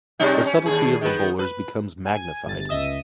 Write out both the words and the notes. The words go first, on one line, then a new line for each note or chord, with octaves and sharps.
The subtlety of the bowlers becomes magnified.
C3 G3 D#4
C#4
D#2 C#3 G#4
D#3 B3 B4
B4
G#5
G1 A6
C#2 D#5 E5 D#6